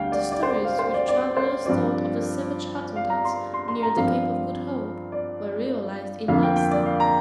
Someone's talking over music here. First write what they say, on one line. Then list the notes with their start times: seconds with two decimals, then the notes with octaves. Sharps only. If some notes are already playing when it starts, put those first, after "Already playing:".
The stories which travellers told of the savage Hottentots near the Cape of Good Hope were realised in Leinster.
Already playing: D2 D3 G3 F5 G5
0.12 D5
0.32 D5
0.43 C5
0.50 D5
0.65 F5
0.79 C5
0.94 D5
1.08 D5
1.36 C5
1.66 G2 F3 C4 D5
2.96 F5
3.10 A#5
3.25 C6
3.54 C6
3.68 C6
3.83 A#5
3.97 G2 F3 C4 F5
5.12 D5
6.28 F2 D3 A#3 F5
6.43 G5
6.56 G5
6.71 D5
6.85 F5
7.00 A#5